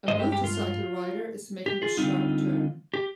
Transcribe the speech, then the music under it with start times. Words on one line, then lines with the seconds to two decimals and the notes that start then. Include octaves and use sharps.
A motorcycle rider is making a sharp turn.
0.08 G2 D#3 G#3 C5 D#5
0.19 G4
0.32 G4
0.44 F4
1.66 G4
1.82 F4 G#4
1.97 D3 G3 C4 D#4 F4
2.94 G4